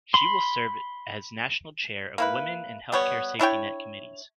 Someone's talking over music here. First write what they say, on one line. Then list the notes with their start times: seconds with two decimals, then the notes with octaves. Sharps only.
She will serve as national chair of Women, and Healthcare Safetynet committees.
0.14 B5 C6
2.18 A#3 E4 B4
2.92 G3 B3 C#5
3.39 D4 E4 C#5 G5